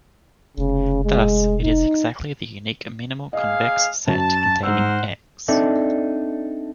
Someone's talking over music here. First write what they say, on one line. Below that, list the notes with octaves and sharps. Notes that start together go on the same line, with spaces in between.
Thus, it is exactly the unique minimal convex set containing "X".
F1 C#3
G#3
D#4
A#3 G#4 D#5 F5
F#2 A5
G#2 A#4 C5 F#5 E6
C4 D4 D#4 A4 D5 E5